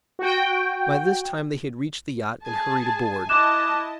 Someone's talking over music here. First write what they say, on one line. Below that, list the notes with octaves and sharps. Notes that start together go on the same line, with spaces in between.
By this time they had reached the yacht and hurried aboard.
F#4 G5
G#4 G#5 A5
E4 D#5 A5 D6 F#6 E7